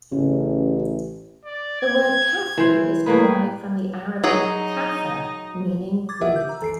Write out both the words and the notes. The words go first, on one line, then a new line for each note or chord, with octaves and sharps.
The word Kafi is derived from the Arabic "kafa" meaning group.
A1 C#3
D5
G#6
E3 C5
A2 A#3 G#4 B4
F#3 D#4 G#4
D6 G#6 A6
G4 A#4 E5 F#5
D6 G6
A#5 E6
E3 A4 C7 D7